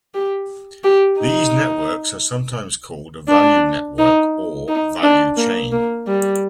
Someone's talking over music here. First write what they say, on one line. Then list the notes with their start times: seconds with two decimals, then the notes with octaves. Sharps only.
These networks are sometimes called a value network or value chain.
0.15 G4
0.84 G4
1.20 D#4
3.29 D4
3.99 D#4
4.68 D#4
5.03 D4
5.37 A#3
5.72 A#3
6.07 G3